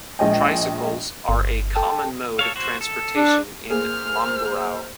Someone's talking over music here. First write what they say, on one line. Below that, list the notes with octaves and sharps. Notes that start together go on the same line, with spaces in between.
Tricycles are a common mode of transportation in Mamburao.
A#1 G#3 D#5 G5
G1
A4 G5 A5
A4 C#5 F5
F#4 C5
A4
D4
A#3 G#4 C5 F6